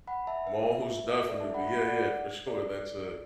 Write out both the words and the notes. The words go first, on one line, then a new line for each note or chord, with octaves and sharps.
Most definitely. Yeah, yeah, for sure. That's a
F#5 B5
E5 A5
B4 E5
A4 D5
E5 A5
F#5 B5
F#5 B5
D5 F#5
A4 D5